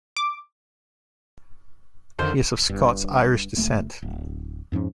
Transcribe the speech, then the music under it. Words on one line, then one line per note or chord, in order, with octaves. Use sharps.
He is of Scots-Irish descent.
D6
F2 D3 D#3 F4 C5
G1 G2
F#1 E2 A3 A#3
D1
F2 G#2 F3 C#4